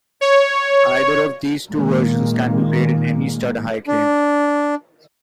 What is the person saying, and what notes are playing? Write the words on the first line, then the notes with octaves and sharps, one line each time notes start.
Either of these two versions can be played in any stud high game.
C#5
A#2 D#3 G#3 A#3
D4